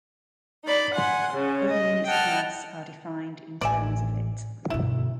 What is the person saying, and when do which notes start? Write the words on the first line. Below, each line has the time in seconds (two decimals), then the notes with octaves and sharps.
Other units of mass are defined in terms of it.
0.65 D#4 D5 B5
0.93 F#5 G#5 C6
1.33 C#3 C#4
1.70 D#5
2.07 D#5 F#5 G5 A5 F6
3.61 A1 D5 E5 G#5
4.70 G1 B2 E4